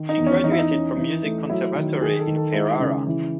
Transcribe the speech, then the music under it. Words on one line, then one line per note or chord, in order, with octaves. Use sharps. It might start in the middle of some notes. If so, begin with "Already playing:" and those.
She graduated from Music Conservatory in Ferrara.
Already playing: D#3
D#4
E2
C#4
E3 D#4
E4
D#4
C#4
E3
A3
F#3 E4
D#3
D#3 G#4
A4
D#3
A4
G#3 E4
E4
C#3
E3